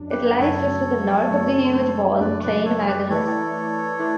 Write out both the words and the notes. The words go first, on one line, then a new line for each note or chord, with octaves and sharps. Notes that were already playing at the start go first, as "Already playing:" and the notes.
It lies just to the north of the huge walled plain Maginus.
Already playing: F#2 C#3 F#3 D4
G4 B4
F#2 C#3 F#3 A3 D4 A4 C#5
F#2 C#3 F#3 A3 D4
F#2 C#3 F#3 A3 D4 B4 D5
B4 D5
A4 C#5
G4 B4
E3 A3 E4 A4 B4 C#5 D5
E3 A3 E4 B4 D5